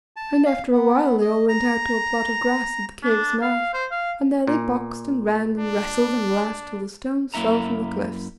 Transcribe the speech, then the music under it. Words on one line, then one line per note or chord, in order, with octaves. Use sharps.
And after a while they all went out to a plot of grass at the cave's mouth, and there they boxed, and ran, and wrestled, and laughed till the stones fell from the cliffs.
A5
F5
B3
D#5
A#5
D4
F5
C5
F5
A#2
D4
F#2 A#3 E4 E5 A#5